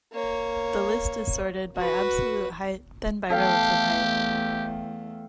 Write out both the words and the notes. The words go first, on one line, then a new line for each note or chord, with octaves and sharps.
The list is sorted by absolute height, then by relative height.
A#3 C#5
F#4 B4
E2 A3 G4 A4 F5 G5